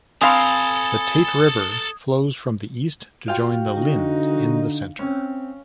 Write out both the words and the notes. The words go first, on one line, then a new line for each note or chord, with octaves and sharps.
The "Tate River" flows from the east to join the "Lynd" in the centre.
C4 A4 F5 G#5 A#5 B5 D#6 G#6
F4 F#4 F5 G5
D3 D#4
C4 C#4